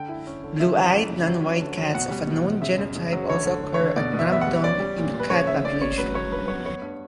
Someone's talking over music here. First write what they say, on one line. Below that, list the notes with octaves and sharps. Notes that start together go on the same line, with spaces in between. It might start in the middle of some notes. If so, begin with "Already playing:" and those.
Blue-eyed non-white cats of unknown genotype also occur at random in the cat population.
Already playing: D3 G5
E4
C#4
D3
C#3 E5
E3
E3
C#3
F#3
C#4
D3
F#3
B2 F#5
G3
B2
B2
C#3 E5
F#2
C#3
F#3
D3 C#5
D3
D3
C#5
D3
B2 D5
B2
E5
B3 E5
F#5
G3
C#4 D5
G3
A#2
A#2
B4
C#3 C#5
C#3 E5
C#3 D5
C#3 C#5
F#3 B4
F#3 C#5
G2 B4
B3 C#5
B3 C#5
G2